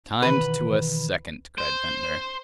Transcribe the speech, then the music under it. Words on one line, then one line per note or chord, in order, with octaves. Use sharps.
"Timed to a second!" cried Ventnor.
B2 D#3 E3 B4
C5